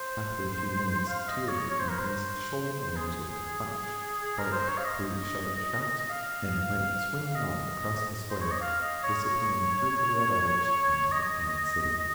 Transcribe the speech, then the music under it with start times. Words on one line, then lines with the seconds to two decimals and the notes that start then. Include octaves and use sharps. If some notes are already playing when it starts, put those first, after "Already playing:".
After a few minutes two of the companies shouldered arms with a clash, barked three sharp shouts, and went swinging off across the Square, disappearing through the Red Arch into the quiet city.
Already playing: C5
1.07 F5
1.28 D#5
1.49 C#5
1.71 C#5
1.80 C5
1.88 A#4
1.98 C5
2.96 G#4
4.22 G#4
4.38 A#4
4.53 C5
4.68 C#5
4.78 F5
4.85 D#5
6.09 F5
7.29 F5
7.35 D#5
8.30 C5
8.41 C#5
8.52 D#5
8.61 F5
8.82 D#5
9.03 C#5
9.24 C#5
11.12 D#5